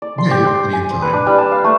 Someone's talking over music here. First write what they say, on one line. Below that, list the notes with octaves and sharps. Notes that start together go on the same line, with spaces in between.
Yeah you have plenty of time.
D5
C6
G4
C6
G#5
C5
B4
D4
G3
A5
F5
A3